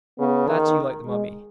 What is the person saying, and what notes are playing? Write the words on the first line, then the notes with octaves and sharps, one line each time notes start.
Glad you like the mummy.
C#3 B3
D#3
G#3